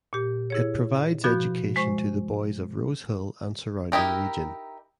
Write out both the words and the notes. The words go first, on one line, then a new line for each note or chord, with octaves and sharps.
It provides education to the boys of Rose Hill and surrounding region.
A#2 G4
E4 G#4 C#5
B2 F3 F#4 B5 G6
G#3 C5 C#6
D#4 E4 G4 A#4